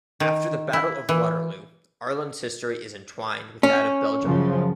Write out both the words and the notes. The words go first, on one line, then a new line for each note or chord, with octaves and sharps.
After the Battle of Waterloo, Arlon's history is entwined with that of Belgium.
D#3
E4
E3
C#4
F#2 C#3 F3